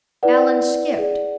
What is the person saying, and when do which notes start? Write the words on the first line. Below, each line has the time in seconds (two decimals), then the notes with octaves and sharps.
Allan skipped.
0.23 E4 B4 D5 F#5
0.98 G#4 D5